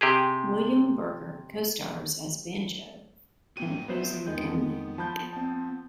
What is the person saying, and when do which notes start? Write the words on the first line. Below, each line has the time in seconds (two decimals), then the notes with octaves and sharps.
William Berger co-stars as Banjo, an opposing gunman.
0.01 C3 G4 G#4
3.57 F#4 C5 G5 D#7
3.88 F3 G#3 B3 C5 E5
4.27 F2 D#3 G#3 B3 G6
4.98 F3 A5 B5 G6
5.33 C4 A5